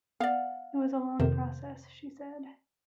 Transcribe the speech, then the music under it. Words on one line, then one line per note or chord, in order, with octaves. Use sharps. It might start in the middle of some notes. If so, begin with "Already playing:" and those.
It was a long process, she said.
B3 D5 F5 F#5
F2 C3 D#3 C5